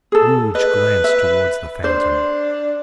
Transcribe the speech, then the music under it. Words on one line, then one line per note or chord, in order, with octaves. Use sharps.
Scrooge glanced towards the Phantom.
G#4 A4
B4 D#5
E5
D4 C5